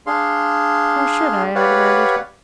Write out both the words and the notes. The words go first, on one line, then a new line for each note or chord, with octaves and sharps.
"How should I?" I demanded.
D4 G#4 F5 C6
G4 B4 C#5 D5 F5 F#5